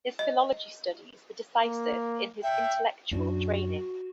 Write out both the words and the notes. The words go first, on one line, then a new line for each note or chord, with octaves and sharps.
His philology studies were decisive in his intellectual training.
D#5
A#3
E5 G5
F#2 C#4 D4 F#4